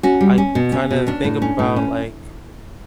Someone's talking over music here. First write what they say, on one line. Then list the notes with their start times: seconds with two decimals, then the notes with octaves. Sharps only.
I kind of think about, like,
0.03 C#4 F#4
0.21 G3
0.38 C#4
0.55 B2
0.72 C#4
0.91 B2
1.07 C#4 D4
1.24 A2
1.42 C#4
1.59 A2
1.76 C#4